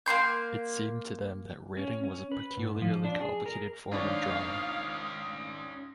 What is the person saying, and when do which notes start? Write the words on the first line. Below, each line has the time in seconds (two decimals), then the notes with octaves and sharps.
It seemed to them that writing was a peculiarly complicated form of drawing.
0.06 A#3 B3 C6 G6
1.77 C#4
2.05 C#4
2.32 B4
2.57 G#2
2.82 F3
3.04 D4
3.21 G#4
3.46 A#4
3.92 G#1 C#4 D4 F4 C#5 F5 D#6